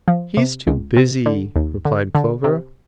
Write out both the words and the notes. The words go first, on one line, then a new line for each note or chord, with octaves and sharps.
"He's too busy," replied Clover.
F3
C3
C#2
C3
D3
D#2
D3
D3
C3